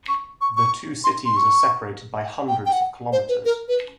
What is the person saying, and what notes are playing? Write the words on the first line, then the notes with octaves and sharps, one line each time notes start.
The two cities are separated by hundreds of kilometers.
C#6
C#6
C#6
C6
C6
C#6
G5
G5
F#5
C5
B4
A#4
B4